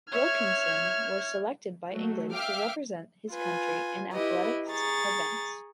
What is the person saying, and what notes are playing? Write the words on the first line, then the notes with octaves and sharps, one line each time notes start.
Wilkinson was selected by England to represent his country in athletics events.
C#5 E5 F6 G#6
F#3 A3
E5 F5 G5 D6 F6
F4 B4 G#5
E4 G4 B4 D#5
G#4 A#5 C#6 A6